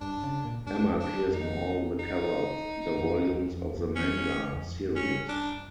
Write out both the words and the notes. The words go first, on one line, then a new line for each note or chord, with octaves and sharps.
Emma appears on all the cover of the volumes of the manga series.
G2 D4
C#3
A#2
G2 D4
F2
D4
F#2
F2 D#4
D#4
F2
E2
F2
E2
F2
C#4
E2
F2
F#2
C#4
G2
D4